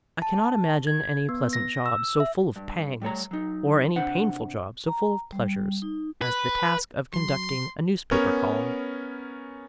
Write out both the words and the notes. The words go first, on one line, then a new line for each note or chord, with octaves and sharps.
I can not imagine any pleasant job so full of pangs, or any painful job so full of pleasures, as the task of conducting a newspaper column.
A5
G#6
B3
A#6
E6
E5
G2
G3 A3 C#5 A#5
F#3 D#4
C3 D4 C5 F#5
A#5
G3
D#4
B4
F#3 C6
B3 C#4 A#4 C#5